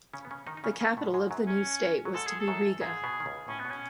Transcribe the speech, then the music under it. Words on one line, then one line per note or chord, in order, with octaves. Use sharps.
The capital of the new state was to be Riga.
C#3 C#4
B3
C#3 C#4
D#3 D#4
D#4
C#3 C#4
C#3 C#4
A2 A3
G#2 G#3
F#2 F#3
C#4
F#3
G#2 G#3 A4
G#4
A4
F#2 F#3
G#2 G#3 G#4
B2 B3
D#3
C#2 C#3
A2 C#4
B3
B2
C#4